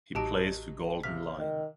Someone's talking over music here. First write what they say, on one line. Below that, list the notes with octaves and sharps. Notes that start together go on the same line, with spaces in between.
He plays for Golden Lion.
A1 F#3 D#4 G4 A5 D7
C3 F5 F6 B6
D#3